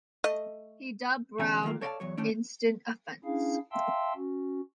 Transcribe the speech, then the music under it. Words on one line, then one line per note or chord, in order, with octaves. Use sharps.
He dubbed Brown "Instant Offense".
A3 D#5
E2 B2 D3 C#4 G#5 A#5
D#3 F#3 G3 A3 A#3 F4
A4 C#5 D5 F5 G5 A5
E2 F#3 C#5
D3 D#3 A3 C#4 D4
C#4 D4 E4 G#4 F5
E5 F5 G5 A5 C6 E6
C#4 F#4